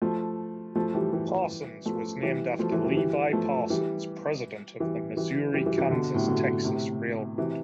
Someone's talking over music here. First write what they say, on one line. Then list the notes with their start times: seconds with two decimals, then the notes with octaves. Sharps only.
Parsons was named after Levi Parsons, president of the Missouri-Kansas-Texas Railroad.
0.02 F3 A3
0.75 F3 A3
0.94 E3 G3
1.13 E3 G3
1.86 F3 A3
2.23 E3 G3
2.59 F3 A3
2.72 E3 G3
2.84 E3 G3
2.97 E3 G3
3.33 F3 A3
3.70 E3 G3
4.80 E3 G3
5.17 E3 G3
5.54 E3 G3
5.66 E3 G3
5.78 C3 E3
5.91 B2 D3
6.15 A2 C3
6.27 B2 D3
6.64 A2 C3
7.38 C3 E3